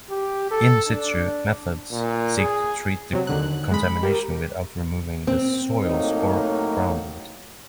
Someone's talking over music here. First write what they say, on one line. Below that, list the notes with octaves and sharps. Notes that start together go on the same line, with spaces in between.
In-situ methods seek to treat the contamination without removing the soils or groundwater.
G4
A4
D4
A#2
G#4
C3 F#3
D#2 D3 F#6
G#3 B5
G4 A#4
C4
A2 F#3 A#3 D#4